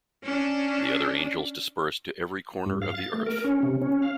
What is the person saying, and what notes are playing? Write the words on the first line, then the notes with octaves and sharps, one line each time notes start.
The other angels dispersed to every corner of the Earth.
C#4 D4
G2
F5
A6
A3
A#4
C#4
C3
C#4
F5